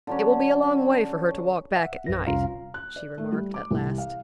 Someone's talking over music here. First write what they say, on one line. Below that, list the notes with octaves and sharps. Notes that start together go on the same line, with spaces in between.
'It will be a long way for her to walk back at night!' she remarked, at last.
D3 F#3 C#4
E5 F#5
A#1 F#2 B4 A#6
C2 F2 C#4 F4 F5 A#5
F#6
D5
A3
G3
D6
C2
F5